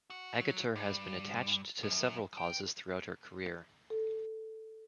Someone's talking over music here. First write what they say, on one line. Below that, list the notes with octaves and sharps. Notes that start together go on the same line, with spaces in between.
Agutter has been attached to several causes throughout her career.
F#4
F#3
G2
F#2
G5
A4